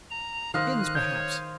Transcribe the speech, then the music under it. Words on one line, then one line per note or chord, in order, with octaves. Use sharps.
Skins perhaps.
A#5
D#3 C5 D#5 F5 F#6
C#5 G6